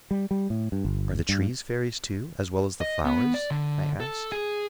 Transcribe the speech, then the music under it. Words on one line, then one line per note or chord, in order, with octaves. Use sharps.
"Are the trees fairies too, as well as the flowers?" I asked.
G3
G3
A2
G2
G1
G2
D#5
B3
D5
D3
A4
G#4